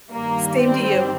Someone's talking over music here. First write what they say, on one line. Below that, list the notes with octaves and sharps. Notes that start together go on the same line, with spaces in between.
Same to you.
G2 D#3 G3 A#3
C4